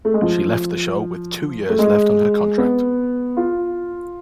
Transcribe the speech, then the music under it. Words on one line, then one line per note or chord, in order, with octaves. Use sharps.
She left the show with two years left on her contract.
A3
G#3
F3
A3
G#3
B3
F4